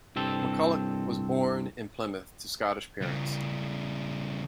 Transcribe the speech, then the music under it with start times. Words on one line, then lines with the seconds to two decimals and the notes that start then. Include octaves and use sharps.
McCulloch was born in Plymouth to Scottish parents.
0.16 C2 G2 C4 A4
3.02 C#3 G3